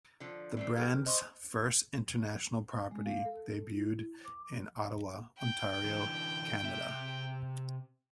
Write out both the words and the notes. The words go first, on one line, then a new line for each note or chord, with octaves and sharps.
The brand's first international property debuted in Ottawa, Ontario, Canada.
D3 F3
E3 A3 C4 D5
G4 A4 B4 F6
C5 D#5 C6 C#6
G#3
F5
A4
E4
D6
G5
D3 E3
C3 E5